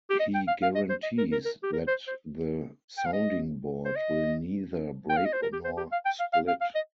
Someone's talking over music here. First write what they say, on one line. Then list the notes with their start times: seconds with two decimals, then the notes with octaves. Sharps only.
He guarantees that the sounding-board will neither break nor split.
0.10 G4
0.20 D#5
0.35 G5
0.48 F5
0.62 F5
0.75 D#5
0.89 C5
1.03 D#5
1.18 A#4
1.32 A#4
1.45 A#4
1.63 G4
1.73 A#4
1.87 C5
2.08 C5
2.97 G5
3.06 F5
3.13 D#5
3.85 C5
3.96 D#5
5.10 G5
5.17 F5
5.25 D#5
5.33 C5
5.42 A#4
5.53 G4
5.64 C5
5.77 G4
5.92 F5
6.05 G5
6.20 F5
6.33 F5
6.48 F5
6.61 F5
6.75 D#5